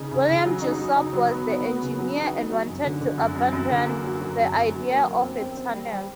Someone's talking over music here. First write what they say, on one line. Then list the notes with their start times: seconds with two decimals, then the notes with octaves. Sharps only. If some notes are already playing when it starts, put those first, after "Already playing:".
William Jessop was the engineer and wanted to abandon the idea of a tunnel.
Already playing: C#3 D#4
0.11 C#3
0.28 C#3
0.45 F#3
0.62 D#4
0.79 F#3
0.96 D#4
1.13 F#3
1.30 B3
1.47 B3
1.64 B3
1.81 C#3
1.98 F#3
2.15 D#4
2.33 D#4
2.50 F#3
2.67 F#2
2.84 D3
3.01 D3
3.18 F#2
3.35 F#2
3.52 F#2
3.69 D3
3.86 A#3
4.04 F#3
4.21 F#3
4.38 F#2
4.55 F#2
4.72 F#3
4.90 A#3
5.06 A#3
5.23 C4
5.40 C4
5.57 C4
5.74 G3
5.92 G3